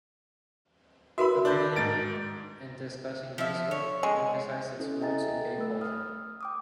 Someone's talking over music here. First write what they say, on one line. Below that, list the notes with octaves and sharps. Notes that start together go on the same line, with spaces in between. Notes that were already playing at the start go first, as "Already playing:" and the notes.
The media, in discussing disco, emphasized its roots in gay culture.
F#4 A#4 B4 E5 B5
D4 G6
G#2 A6 D7
F3 E5
C#5
G#3
C#4 E4 A4
D#5 E5 G5 G#5 A#5 A6
A4
A3 E6
D#6 F6
G5 D6 D#6